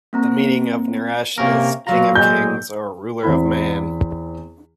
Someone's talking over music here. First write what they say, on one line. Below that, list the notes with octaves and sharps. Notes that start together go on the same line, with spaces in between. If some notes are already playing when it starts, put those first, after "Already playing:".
The meaning of Naresh is "King of Kings" or "Ruler of Man".
A#3 C4 A#5
C3 A#3 C#4 A#4
A#2 F#3 F4 A#5
G#3 G6
E2 E3 C4 E4 B5